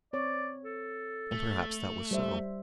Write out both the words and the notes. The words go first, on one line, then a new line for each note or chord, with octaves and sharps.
And perhaps that was so.
C4 C#5 D5
A4
A3
G3 C5 E5